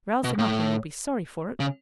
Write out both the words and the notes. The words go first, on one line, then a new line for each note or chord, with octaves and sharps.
"Rouse him up, or you'll be sorry for it."
B2
A2
C#3